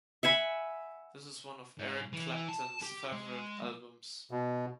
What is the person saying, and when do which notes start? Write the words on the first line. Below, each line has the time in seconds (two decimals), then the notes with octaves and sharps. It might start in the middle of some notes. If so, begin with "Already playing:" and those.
This is one of Eric Clapton's favourite albums.
0.23 E5 F#5 G#5 B5
1.79 G#2
2.13 E3
2.48 A5
2.82 G4
3.12 G#3
4.31 B2